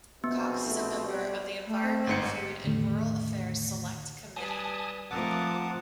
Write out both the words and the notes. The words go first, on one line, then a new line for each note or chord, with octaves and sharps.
Cox is a member of the Environment, Food and Rural Affairs Select Committee.
A#1 B2 B3 C4
A3
G3
A3
C4
G1 G#2 C#7
E2 A2 D3 D#3 A3
G3 B4 G#5 A5 D#6
F3 A3 C4 A#4 F#5 A5 D6 D#6